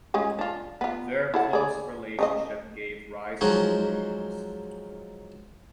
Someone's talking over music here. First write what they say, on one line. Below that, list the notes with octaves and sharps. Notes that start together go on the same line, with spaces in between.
Their close relationship gave rise to rumors.
G#3 C#4 F4
D4 F4
B3 F4
E4 A4 F#5
G#4 D5
C#3 D#4 D#5
F3 F#3 G#3 D#4 F#4